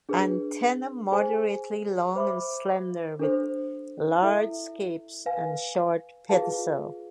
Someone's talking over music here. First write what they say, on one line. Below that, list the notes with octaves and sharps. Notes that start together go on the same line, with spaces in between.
Antenna moderately long and slender with large scape and short pedicel.
D4 G#4 B4
G#4 C5 G#5
C5 E5 B5 D6
D4 A4 C5
E4 A4 E5
B4 F5 G#5
F4 G#4 B4 F5 A5